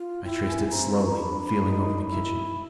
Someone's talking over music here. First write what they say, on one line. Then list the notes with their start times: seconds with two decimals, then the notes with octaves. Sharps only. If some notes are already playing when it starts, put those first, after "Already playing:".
I traced it slowly feeling over the kitchen.
Already playing: F4
0.24 E4 G5
0.47 G#5
0.70 C4 A#5
0.93 A#5
1.07 A#5
1.16 D4 B5
1.47 B5
1.63 D#4
1.77 B5
2.08 E4 B5
2.44 E4